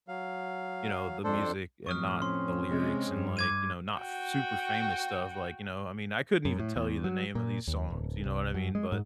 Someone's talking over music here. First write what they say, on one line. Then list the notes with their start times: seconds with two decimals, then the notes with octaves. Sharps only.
you know, the music and not the lyrics and like, you know, not f super famous stuff. Like, you know, I mean, I couldn't even tell you the name of these songs, you know what I mean? But
0.08 F#3 F5
1.24 F2 D4 A4 C5
1.87 F2 A2 C#6 D#6 F6
2.22 C4 C#4 C6
2.68 C3 G#3
3.08 G2
3.37 D6 G#6 D#7
3.98 F#4 G5
6.45 F#2
6.59 A2
6.76 E2
7.04 F#3
7.35 A#2
7.67 D#2
7.90 D1
8.25 C2
8.54 F#2
8.75 G#3
8.92 G#2